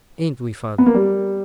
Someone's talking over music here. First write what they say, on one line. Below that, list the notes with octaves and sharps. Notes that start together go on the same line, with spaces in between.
Ain't we, father?'
B3
A#3
G3